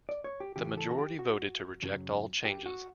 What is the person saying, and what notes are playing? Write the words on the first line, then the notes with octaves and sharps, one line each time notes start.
The majority voted to reject all changes.
D5
C#5
G4
C#3 E3 A3 G4
A4
F#4
G4
F#4
F#2 C#3 F#3
G4
F#4